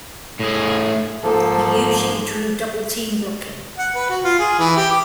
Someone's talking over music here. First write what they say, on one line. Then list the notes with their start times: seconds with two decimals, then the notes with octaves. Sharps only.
He usually drew double-team blocking.
0.40 A2 G#4
1.23 G#2 F3 A#3 A4
3.78 F#5
3.95 B4
4.10 F#4
4.24 F4
4.39 G#4
4.59 E3
4.76 G4
4.91 D6